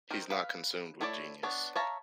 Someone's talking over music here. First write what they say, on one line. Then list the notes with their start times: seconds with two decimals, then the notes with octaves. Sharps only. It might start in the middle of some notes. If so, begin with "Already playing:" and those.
He's not consumed with genius.
0.10 D#3 A#4 C5
0.30 B4 F5
1.01 A3 E4 A4 C#5 D5
1.43 B3 D4 C#5
1.76 C#5 E5 F5 A5 A#5